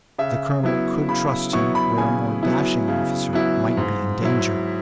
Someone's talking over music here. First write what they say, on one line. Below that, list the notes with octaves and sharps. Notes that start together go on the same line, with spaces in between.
The colonel could trust him where a more dashing officer might be in danger.
C#3 E5
F#3 B3 E4
C#3 B5
F#3 B3 E4 C#6
B5
C#3 G#5
F#3 B3 E4
C#3
F#3 B3 E4
G#2
F#3 E4